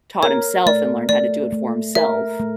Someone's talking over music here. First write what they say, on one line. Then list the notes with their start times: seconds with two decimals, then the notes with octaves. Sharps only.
taught himself and learned how to do it for himself.
0.23 A#4 C#5
0.66 A3 D5
1.09 A3 D5
1.52 A3
1.95 A#4 E5
2.39 A3